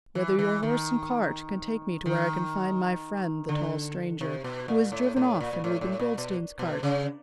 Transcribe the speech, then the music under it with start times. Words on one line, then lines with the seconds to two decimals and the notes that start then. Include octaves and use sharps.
"Whether your horse and cart can take me to where I can find my friend the tall stranger, who has driven off in Reuben Goldstein's cart?"
0.15 E3
0.39 E3
0.63 D#3
2.06 D#3
3.49 D3
4.21 C3
4.44 B2
4.68 A#2
4.92 A2
5.16 A2
5.40 A#2
5.53 A#2
5.64 A2
5.81 A2
6.00 A#2
6.18 B2
6.59 B2
6.83 C#3